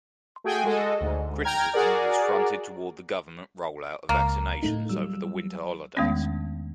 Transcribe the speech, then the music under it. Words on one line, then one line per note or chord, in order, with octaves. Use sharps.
Criticism was fronted toward the government rollout of vaccinations over the winter holidays.
A3 F#4 G#4 G5 G#5
G#3 F#4 A4 D#5
D2 G#2
G5 A#5 F6 G#6
F#4 G#4 A#4 D5
C#2 A#3
A2 A3 D#4
F#3 G3 E6
E2 D#3 G#3 A3 B3 C#4